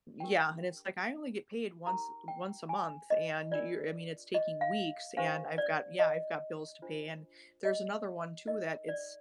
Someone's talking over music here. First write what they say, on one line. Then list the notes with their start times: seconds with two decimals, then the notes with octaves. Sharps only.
yeah, and it's like, "I only get paid once once a month, and you're I mean, it's taking weeks, and I've got," Yeah "I've got bills to pay," and there's another one too that it's
0.20 D4 G4 A#4 G5
1.86 D#4 G4 A#4 A#5
2.28 G5
2.69 G#5
3.10 D#5
3.51 D4 F4 A#4 D5
4.34 D#5
4.61 F5
5.17 D4 G4 C5 F5
5.58 D5
5.99 D#5
6.82 D4 F4 C5
7.65 D#5
8.47 D#4 A#4 D#5
8.89 D5